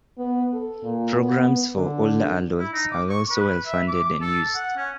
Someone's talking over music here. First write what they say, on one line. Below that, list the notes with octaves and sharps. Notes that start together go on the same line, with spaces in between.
Programs for older adults are also well-funded and used.
B3
A4
A#2
B3
D3
E4
D#4
D6
C#6
B4
E5
D6
A4
F#5
C#4